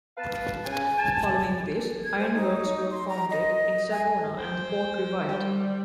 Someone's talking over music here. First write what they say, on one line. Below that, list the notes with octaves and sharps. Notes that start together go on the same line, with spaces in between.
Following this, ironworks were founded in Savona and the port revived.
B3 B4 F5 A5
C#3 G#5
G#5 A5
G#6
C5
D#4
C6
A#5
D#5
G#5
C5 G5
G3